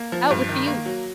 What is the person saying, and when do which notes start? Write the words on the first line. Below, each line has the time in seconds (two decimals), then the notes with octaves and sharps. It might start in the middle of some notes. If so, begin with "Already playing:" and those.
Out with the oof.
Already playing: A#3
0.12 F3
0.31 G2
0.49 D#3
0.67 A#3
0.86 F#3